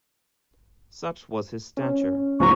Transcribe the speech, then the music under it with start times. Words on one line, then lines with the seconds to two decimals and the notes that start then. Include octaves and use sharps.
Such was his stature.
1.77 C#4
2.40 C#2 G#2 F3 A#5 C#6